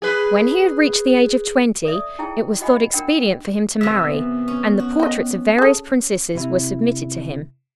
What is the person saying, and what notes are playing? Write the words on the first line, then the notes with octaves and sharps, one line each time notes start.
When he had reached the age of twenty, it was thought expedient for him to marry; and the portraits of various princesses were submitted to him.
G#4 B4
A4 D5 E5 D#6
D#4 E4 G#4 G5 A5
F#4 D#5 F#5 G#5 B5
D4 A#4 F#5 G5
C3 E3 A#3 E5
B3
C#4
F#4
D#5 G5
G#4 A4
C3 E4